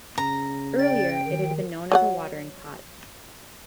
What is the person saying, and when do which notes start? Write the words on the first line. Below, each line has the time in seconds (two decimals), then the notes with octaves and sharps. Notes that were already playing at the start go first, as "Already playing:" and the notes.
Earlier, it had been known as a "watering pot".
0.18 C#3 A#5
0.79 D5 G5 A6
1.26 D#3
1.92 F#3 B4 F#5